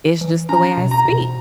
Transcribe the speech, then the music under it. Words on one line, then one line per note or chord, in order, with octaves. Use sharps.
"It's just the way I speak,"
E3
C#4 A#5
B2
A#5
B2